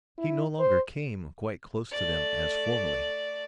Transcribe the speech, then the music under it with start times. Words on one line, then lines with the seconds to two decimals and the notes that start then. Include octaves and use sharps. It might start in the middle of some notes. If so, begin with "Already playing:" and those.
He no longer came quite close to them as formerly.
0.18 E4
0.59 C5
1.91 A3 D5